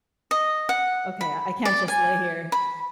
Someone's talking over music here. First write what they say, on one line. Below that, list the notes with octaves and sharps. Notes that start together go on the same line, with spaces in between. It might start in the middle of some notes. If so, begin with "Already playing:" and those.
ok, I can't just lay here,"
D#5
F#5
B5
D5
G#5
B5